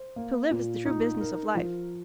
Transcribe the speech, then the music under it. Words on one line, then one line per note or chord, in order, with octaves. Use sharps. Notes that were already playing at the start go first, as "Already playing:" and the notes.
To live is the true business of life.
Already playing: C5
A#3
A#2
D#4
A#4
F3